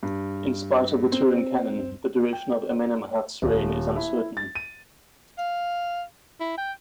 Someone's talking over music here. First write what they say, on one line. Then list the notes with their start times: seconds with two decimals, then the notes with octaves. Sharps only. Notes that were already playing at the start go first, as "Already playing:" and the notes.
In spite of the Turin canon, the duration of Amenemhat's reign is uncertain.
0.03 G2
1.12 C4
2.33 G5
3.42 D#1
3.96 E4
4.37 A6
4.55 D#7
5.38 F5
6.40 E4
6.58 G5